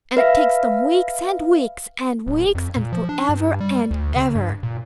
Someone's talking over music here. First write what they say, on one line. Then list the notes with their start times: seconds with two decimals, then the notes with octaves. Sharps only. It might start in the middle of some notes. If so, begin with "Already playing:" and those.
And it takes them weeks and weeks and weeks, and for ever and ever.
0.17 B4 E5 F5
2.27 D1
2.55 F2
2.76 A#2
2.93 F3
3.09 D4
3.29 G2
3.60 G3
3.91 D2
4.16 C#3
4.35 G2
4.63 A#2